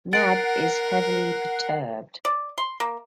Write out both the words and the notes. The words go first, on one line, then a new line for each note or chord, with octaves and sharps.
Mab is heavily perturbed.
A#4 F#5 A6 C7 D7
D5
C6
A#3